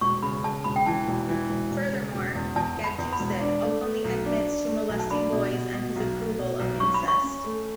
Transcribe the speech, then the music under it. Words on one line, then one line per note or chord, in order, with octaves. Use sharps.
Furthermore, Gajdusek openly admits to molesting boys and his approval of incest.
E1 C#6
C#3 B5
C#3 A5
E1 B5
G5
E3 A5
E1
E3
E1
E1
C#3
E1
E2
E2 A5
E2
B5
E2
B5
E1
D4
A3
A3
B1
D4
D4
A3
B1
A5
D4 B5
B2
B2
B2
B1
A3
B2
B1
C#4 C#6
B5
C#4
C#6
C#4
A3